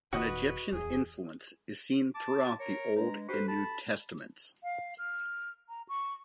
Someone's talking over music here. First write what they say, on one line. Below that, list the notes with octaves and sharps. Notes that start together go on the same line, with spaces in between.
An Egyptian influence is seen throughout the Old and New Testaments.
E1 A#2 D#3 F#4 B4 D#5
D1 E2 G#4
A5 D6
A#4 C#5
G#3 D4 B4 A#5
F#4 G4 A4 B4 C5
A5 B5
F5
F6
A#5
C#6